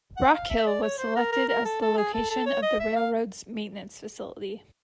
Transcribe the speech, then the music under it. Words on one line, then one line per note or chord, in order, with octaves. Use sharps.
Rockhill was selected as the location of the railroad's maintenance facility.
F#5
F5
E5
D5
C#5
C5
A#4
A#4
A#4
A4
A4
G#4
A4
A4
C#5
D#5
E5
F5